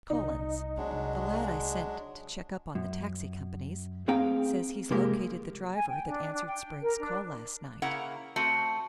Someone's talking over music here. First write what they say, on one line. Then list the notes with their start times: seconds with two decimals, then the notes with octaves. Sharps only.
Collins--the lad I sent to check up on the taxi companies--says he's located the driver that answered Sprague's call last night.
0.10 C2 D#4
0.77 F#3 G#3 C4 D4
0.91 C2
2.75 F#2
4.08 A3 C4 G#4 F5 G5 A#5
4.91 C2 F2 G#3 A#3 G4
5.75 G#5
5.89 G5
6.08 D4
6.33 D4
6.47 G5
6.83 A#4
6.99 D4
7.82 C#3 A#3 E4 F#5 A#5
8.36 A3 C4 F#4